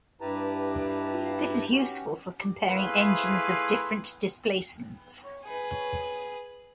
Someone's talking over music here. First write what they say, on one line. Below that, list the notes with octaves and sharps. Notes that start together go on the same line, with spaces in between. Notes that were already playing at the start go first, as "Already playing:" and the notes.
This is useful for comparing engines of different displacements.
G2 E4 G4 B4 A5 A#5
C#4 F#4 G4
A3 E4 G#4 B4 F5 C6
G#4 B4